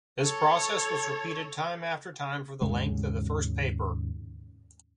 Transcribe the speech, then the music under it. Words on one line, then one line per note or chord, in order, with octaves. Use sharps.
This process was repeated time after time for the length of the first paper.
A4 C#5
D#2 G#2 C#3 G#3